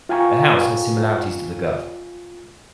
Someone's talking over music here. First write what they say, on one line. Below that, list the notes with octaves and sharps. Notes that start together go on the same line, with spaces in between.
The house has similarities to the Gov.
F4 F5 G5 G#5 A#5 C#6